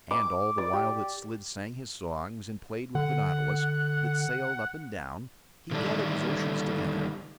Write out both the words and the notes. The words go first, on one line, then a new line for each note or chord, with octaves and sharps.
And all the while that Slid sang his songs and played with the nautilus that sailed up and down he gathered his oceans together.
D6
D5
G4
D3 F#5
D3 D#3 G3 A3 D4 E4